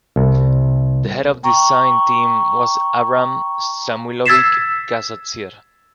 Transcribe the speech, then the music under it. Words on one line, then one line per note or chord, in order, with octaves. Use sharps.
The head of the design team was Abram Samuilovich Kassatsier.
C2
G5 A#5 C#6
E6 G#6 A6 B6 C7 E7